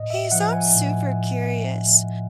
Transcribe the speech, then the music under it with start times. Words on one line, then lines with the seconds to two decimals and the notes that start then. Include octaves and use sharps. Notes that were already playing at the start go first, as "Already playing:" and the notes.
Hey, so I'm super curious.
Already playing: A2 D#5
0.10 E5
0.31 F3 F#5
0.53 G#5
0.75 A2